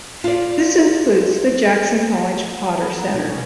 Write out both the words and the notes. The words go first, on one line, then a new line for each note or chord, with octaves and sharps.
This includes the Jackson College Potter Center.
F4 D5
B3
F3 A#5
B2 D4 D#4
C3 C#4